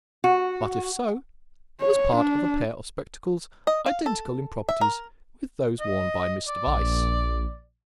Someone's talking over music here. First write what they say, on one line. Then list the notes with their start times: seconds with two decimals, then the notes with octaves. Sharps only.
But, if so, it was part of a pair of spectacles identical in properties with those worn by Mr. Weiss.
0.24 F#4
1.81 C#5
2.16 D4
3.67 D#5
3.86 F5
4.06 A4
4.69 E5
4.81 A#4
5.80 D#5
6.48 D5
6.66 A#1